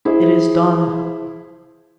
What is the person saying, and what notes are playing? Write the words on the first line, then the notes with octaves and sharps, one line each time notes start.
It is done.
E4 G#4 C5